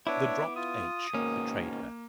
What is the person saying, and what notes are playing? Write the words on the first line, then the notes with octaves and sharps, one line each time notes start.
The dropped "h" betrayed her.
B3 D4 E4 C#5 E5 D6
F4 D#6
G#2 B2 D#3 A#3 C#4